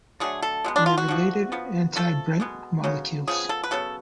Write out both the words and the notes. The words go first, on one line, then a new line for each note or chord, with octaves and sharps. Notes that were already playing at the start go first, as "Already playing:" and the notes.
In the related anti-Bredt molecules.
D3 F#3 A3 G#4
A4
B2 G#3 B3
D4
F4
F#4
D3 F3 A3
F3 B3
F3 A3 A4
B2 G#3 B3
C#3 F#3 B3
C#3 F3 B3 G#4
A4
B4
C#3 F#3 B3 A4